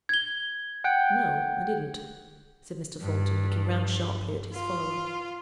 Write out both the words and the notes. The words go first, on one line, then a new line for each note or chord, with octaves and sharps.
'No, I didn't,' said Mr. Thornton, looking round sharply at his follower.
G#6 G7
F#5 G5
G2
F4